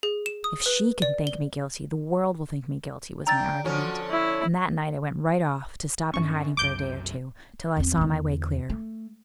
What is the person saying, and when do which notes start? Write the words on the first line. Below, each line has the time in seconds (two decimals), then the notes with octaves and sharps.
'If she can think me guilty, the world will think me guilty,' was my argument; and that night I went right off, to stop in hiding for a day or two, till I saw my way clear.
0.03 G#4
0.26 E7
0.44 D#6
0.66 B4
1.02 D5
1.27 G7
3.27 D4 G5 A#5 E6 A6
3.64 D3 F3 C#4 F#4
4.10 E4 C#5
6.14 G2 C#4 C#6
6.57 C2 F#2 D6 G6 D7
7.77 E2 C4
7.97 E2 D3
8.70 A3